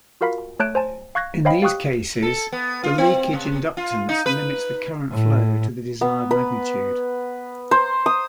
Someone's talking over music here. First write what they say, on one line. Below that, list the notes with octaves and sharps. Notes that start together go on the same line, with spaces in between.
In these cases, the leakage inductance limits the current flow to the desired magnitude.
F4 F#4 A#4 F5 B5 B6
A3 C#5 A5 F#6 G6 D7
C5 G#5 A5
F5 C#6 F#6 G#6 A#6
C5 C#5 D#5 F5 G5 B5
G4 F5 G5 C#6 D#6 F#6
A4
B3
F4
C4
C3
F4
D#4
B4
A2
B3
B4
C5
D#6